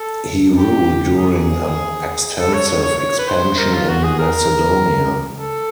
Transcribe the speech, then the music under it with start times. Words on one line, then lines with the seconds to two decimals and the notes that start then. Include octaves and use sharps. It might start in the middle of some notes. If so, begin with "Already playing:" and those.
He ruled during an extensive expansion in Macedonia.
Already playing: A4
0.57 G4
1.17 G#4
2.38 A4
2.53 C#5
2.68 C#5
2.83 C#5
2.98 C#5
3.18 B4
3.28 C5
3.58 A#4
3.73 F4
3.89 F#4
4.03 G#4
4.19 A#4
5.39 A4